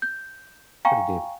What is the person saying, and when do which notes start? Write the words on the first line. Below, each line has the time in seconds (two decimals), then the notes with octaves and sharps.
Pretty deep.
0.02 G6
0.85 F5 G5 G#5 A#5 C#6